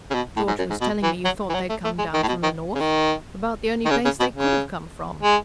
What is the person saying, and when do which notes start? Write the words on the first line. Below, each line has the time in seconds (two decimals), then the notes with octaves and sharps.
George was telling me you thought they'd come down from the north; about the only place they could have come from.
0.11 C#3
0.14 B2
0.36 A2
0.48 G#2
0.58 F#2
0.70 G#2
0.81 B2
1.03 E3
1.25 F#3
1.49 E3
1.54 F#3
1.69 A3
1.84 A3
1.98 G#3
2.14 D#3
2.23 A2
2.28 B2
2.43 D#3
2.75 C#3
2.80 D#3
3.85 D#3
3.90 C#3
4.05 C#3
4.20 B2
4.34 C#3
5.23 G#3